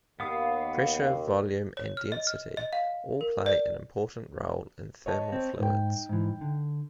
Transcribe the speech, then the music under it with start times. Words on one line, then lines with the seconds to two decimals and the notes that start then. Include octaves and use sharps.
Pressure, volume, and density all play an important role in thermal fluids.
0.20 D#2 B3 F5 D#6
1.77 C#5
1.97 F6
2.12 D#5
2.27 F6
2.57 D#5
2.73 F5
3.21 A#4
3.46 D5
5.06 C#5 D#5 A5
5.32 C4
5.59 G#2 D#4 G5
6.09 G#2 E3
6.41 D3